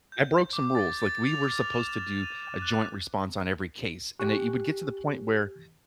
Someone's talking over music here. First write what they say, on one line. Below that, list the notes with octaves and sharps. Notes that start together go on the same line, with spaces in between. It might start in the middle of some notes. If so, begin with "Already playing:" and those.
I broke some rules. Like, we were supposed to do a joint response on every case, and that you would get to the point where
G6
D6
A6
A6
F7
F6
E7
D#7
F#6
G4 G#5 C#6 F#6